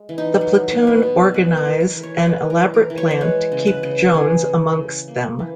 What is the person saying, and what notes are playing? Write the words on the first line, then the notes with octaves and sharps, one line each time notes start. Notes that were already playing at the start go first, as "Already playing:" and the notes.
The platoon organise an elaborate plan to keep Jones amongst them.
Already playing: G#3
E3
D#4
F#3
B2
B4
B2
G#3 B4
A#4
E3
A#4
E3
C#5
G#3 B4
A#4
E3
A#4
E3
C#5
C#5
G#3 B4
C#3
B4
C#3
E3 G#4
C#3
C#3
A#3
E3